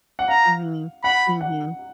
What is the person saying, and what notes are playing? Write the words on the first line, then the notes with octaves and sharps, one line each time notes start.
Mhm, mhm.
F#5
F5 A#5
F#5 B5
F#5